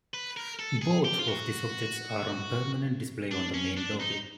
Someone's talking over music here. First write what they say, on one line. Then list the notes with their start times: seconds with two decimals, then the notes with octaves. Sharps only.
Both of these objects are on permanent display in the main lobby.
0.14 B4
0.37 A#4
0.59 A4
0.82 G#4
1.05 G4
1.19 F4
1.28 F#4
3.31 D4
3.54 C#4
3.77 D4
4.00 D#4